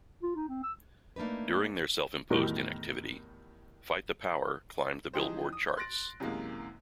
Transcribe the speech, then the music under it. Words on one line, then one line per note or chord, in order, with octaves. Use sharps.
During their self-imposed inactivity, "Fight the Power" climbed the "Billboard" charts.
F4
D#4
C4
E6
A3 A#3 D4 D#4 B4
E2 A2 D#3 G3 F#4 A#4
E3 F3 D#4 G4 G#4 C5
D#6
C6 F#6 A6 A#6 D7
F#2 C3 E3 G#3 A#3